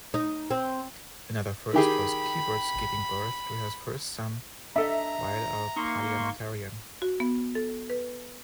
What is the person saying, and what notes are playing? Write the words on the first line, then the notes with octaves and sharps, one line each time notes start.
Another first was Kyburz giving birth to her first son while a parliamentarian.
D#4
C4
D#3 G4 G#4 B5
D4 A4 D#5 E5 A#5
A#3 D#4 C6 C#6
F#4
B3
A4
B4